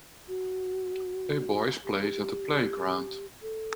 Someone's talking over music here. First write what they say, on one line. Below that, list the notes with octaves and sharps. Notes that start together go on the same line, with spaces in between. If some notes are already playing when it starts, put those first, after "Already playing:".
A boys plays at the playground.
F#4
G4
A4